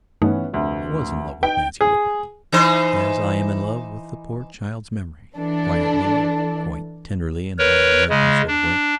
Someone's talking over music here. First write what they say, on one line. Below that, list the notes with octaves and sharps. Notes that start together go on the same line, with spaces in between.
I was in love with Nancy Rufford as I am in love with the poor child's memory, quietly and quite tenderly in my American sort of way.
G2 E3 A3 B3 C#4 D#4
F1 D2
D#4 B4 G5
G#4
E3 D#4 C5
E3 D4 A4
A#4 B4 C#5
C#3 G#3
D4